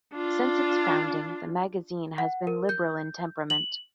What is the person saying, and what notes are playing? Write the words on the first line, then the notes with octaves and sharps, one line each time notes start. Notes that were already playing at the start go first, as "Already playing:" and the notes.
Since its founding the magazine has been liberal in temperament.
D4 F4
F#5
A#4
G6
F#7